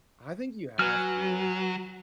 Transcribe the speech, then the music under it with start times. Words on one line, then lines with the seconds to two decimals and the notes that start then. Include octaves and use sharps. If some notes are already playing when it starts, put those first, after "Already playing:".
I think you have to,
0.79 F#3 B4 G#5 F6